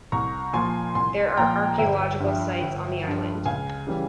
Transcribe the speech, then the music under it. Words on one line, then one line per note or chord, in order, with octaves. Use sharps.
There are archaeological sites on the island.
C2 A#5 C#6
A#2 F3 G#5 C6
C2 G#5 C6
A#2 F3 G5 A#5
G1 E5 G5
G2 F3
G1
G2 F3
C#2 F5 G#5
C#3 E3 G3